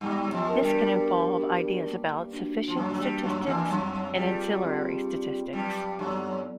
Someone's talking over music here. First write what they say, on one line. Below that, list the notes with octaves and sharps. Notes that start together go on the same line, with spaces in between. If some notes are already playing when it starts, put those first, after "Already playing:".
This can involve ideas about sufficient statistics and ancillary statistics.
G2 G3 B3
F#3
F2 F3
D4 F#4 A#4
G2 G3
B3
D4 F#4 A#4
A#3
D4 F#4
F3
F#2 F#3 A#3
F#3
G2 G3
F#2 F#3 D4 F#4
E2 E3
F#2 F#3 C4
G2 G3 F4 G#4
C4
F4 G#4
G2 F#3 G3
F#2 F#3 B3 E4 A4 D5